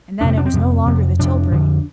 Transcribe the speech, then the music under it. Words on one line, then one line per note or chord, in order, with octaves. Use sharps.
And then, it was no longer the tilbury.
F2 C3 C4 D4
D4
C4
F2 C3
F2 C3
F2 C3 D4
F2 D3